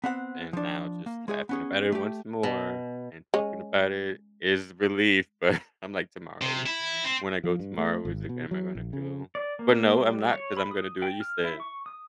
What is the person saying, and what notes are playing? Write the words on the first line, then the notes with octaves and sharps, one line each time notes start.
and now, just laughing about it once more, and talking about it is relief, but, I'm like, "Tomorrow, wh when I go tomorrow, is it g am I gonna feel?" But, no, I'm not, 'cause I'm gonna do what you said
B3 C4 F#5
F3 D4
A#3
G#3 G#4 C#5
B3 C#4 G#4
A3 G4
B2
G#3 C#4
C3
E4
C4
F3
G2
A3
G#1
B2
F#3
A#1
C#3
D5
A#3
G3
C#5
B5
D#6
G5
F6
E4
C#6
D#6